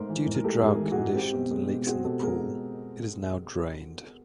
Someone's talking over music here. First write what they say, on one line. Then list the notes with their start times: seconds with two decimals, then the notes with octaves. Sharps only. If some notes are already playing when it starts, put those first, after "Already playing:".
Due to drought conditions and leaks in the pool, it is now drained.
Already playing: G#2 A3 A#4 C5
0.09 E3
0.26 G#2
0.35 A#4
0.44 A3 G4 A4
0.62 G#2
0.68 G#4 A#4
0.80 E3
0.92 F#4 G#4
0.98 G#2
1.15 C4 G4
1.33 B2
1.51 G#3
1.69 B2
1.86 C4 F#4 G#4
2.04 B2 G4 A4
2.22 G#3 G#4 A#4